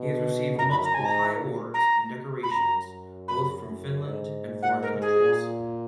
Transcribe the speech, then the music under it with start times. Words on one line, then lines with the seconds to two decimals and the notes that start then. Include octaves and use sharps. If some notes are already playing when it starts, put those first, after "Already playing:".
He has received multiple high awards and decorations both from Finland and foreign countries.
Already playing: B2
0.58 F#2 A#5
0.71 B5
0.84 A#5
0.94 G#2 G#5
1.05 A#5
1.36 A#2
1.74 A#5
2.43 B5
2.51 F#2 A#5
3.28 B5
3.66 F#2
4.05 G#2
4.62 F#5
4.82 A#4
5.02 G#4
5.21 A#2